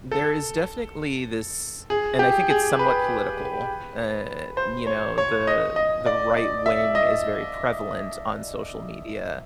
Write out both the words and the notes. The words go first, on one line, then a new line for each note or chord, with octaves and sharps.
there is definitely this and I think it's somewhat political, and, you know, the the right wing is very prevalent on social media,
A4
G#4
G4
G#4
B4
C5
C#5
C#5
D#5
D#5
D5
D5
E5
D#5